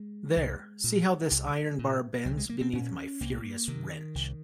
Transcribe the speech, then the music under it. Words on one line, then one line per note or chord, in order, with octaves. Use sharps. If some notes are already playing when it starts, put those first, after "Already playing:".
There — see how this iron bar bends beneath my furious wrench.
Already playing: G#3
C2
A#2
C2
A#2
C2 F#3
G#3
A#3
C4
A#2 C#4
C2 A#3
C3 D#3
C2